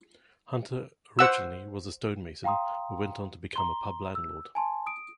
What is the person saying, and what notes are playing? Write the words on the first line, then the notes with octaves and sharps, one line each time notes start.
Hunter originally was a stonemason, but went on to become a pub landlord.
C5 F#5 E6
F5 G5 A#5 C6 D#6
A#5 C6 G7
E6
G#5 A5 C6
D#6 D7